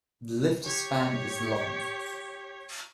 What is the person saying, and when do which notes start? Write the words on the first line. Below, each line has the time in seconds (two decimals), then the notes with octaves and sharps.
The lift span is long.
0.64 G4 C#5